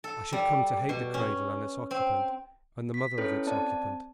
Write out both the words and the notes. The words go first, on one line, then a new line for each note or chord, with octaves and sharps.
I should come to hate the cradle and its occupant, and the mother of its occupant.
A4
G3
B2
C#4
C4
B6
C#4 E4 A4 B4 C#5
C4 D5 A5